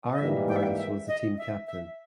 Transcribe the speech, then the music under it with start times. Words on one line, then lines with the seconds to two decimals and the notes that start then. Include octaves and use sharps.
Aaron Harris was the team captain.
0.13 D#5
0.19 G#2 E3 G3 A#3 E5
0.49 G5
0.56 E5
0.63 G5
0.78 E5
1.08 D#5
1.38 E5
1.67 E5